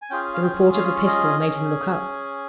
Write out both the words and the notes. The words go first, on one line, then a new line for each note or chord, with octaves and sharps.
The report of a pistol made him look up.
G#5
C#4 F4 G#4 G5
F5
G5
F5
C#5
D#5
C#4 G#4